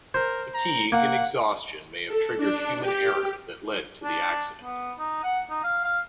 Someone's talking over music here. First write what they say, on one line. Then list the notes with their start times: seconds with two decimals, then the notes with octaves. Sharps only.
Fatigue and exhaustion may have triggered human error that led to the accident.
0.14 A#4 C5
0.54 A#5
0.92 A#3 F#5
2.08 A4
2.40 D4
2.83 G4
4.04 D4
4.63 B3
4.99 D#4
5.23 F#5
5.50 D#4
5.64 F5
5.85 F5